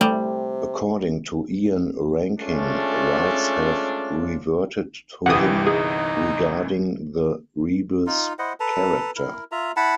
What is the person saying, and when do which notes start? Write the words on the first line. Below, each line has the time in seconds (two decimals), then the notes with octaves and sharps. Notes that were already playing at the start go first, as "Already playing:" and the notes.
According to Ian Rankin, rights have reverted to him regarding the Rebus character.
0.01 C3 G3 A3
2.40 G#3 A3 C#4 D4 F4
5.26 G1 C2 E3 G4 F#5 D#6
5.67 D#4 G#4
8.07 D#4 F4
8.39 E4 C5 D#5 F#5
8.60 A4 B4 A5 A#5
9.16 E4 A#4
9.52 F4 E5 A#5
9.76 E4 F#5 A5 B5